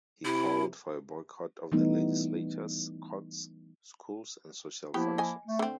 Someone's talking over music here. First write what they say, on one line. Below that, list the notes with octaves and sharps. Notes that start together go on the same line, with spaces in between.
He called for a boycott of the legislatures, courts, schools and social functions.
C3 E4
E3 G3 A3 B3 D#4
F3 A#3 B3 E4 G4
D#5 G#5
A3
D3 C4